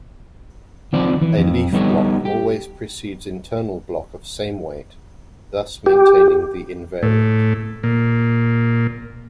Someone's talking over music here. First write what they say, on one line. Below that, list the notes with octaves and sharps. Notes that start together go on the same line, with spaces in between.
A leaf block always precedes internal block of same weight, thus maintaining the invariant.
D#3 F3 C4 D5
E3
F2
G3 B3 D#4 E4 A4 C#5
G4
G4
A2
A#2